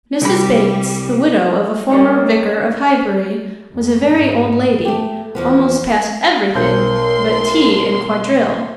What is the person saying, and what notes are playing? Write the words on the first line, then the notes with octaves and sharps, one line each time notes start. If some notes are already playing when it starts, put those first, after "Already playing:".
Mrs. Bates, the widow of a former vicar of Highbury, was a very old lady, almost past every thing but tea and quadrille.
C2 G3 B5
G3 A#3 C#4 D#4
F2
G#2
A3 G4
E2 F3 B3
B1 A#4 C5 C6 G6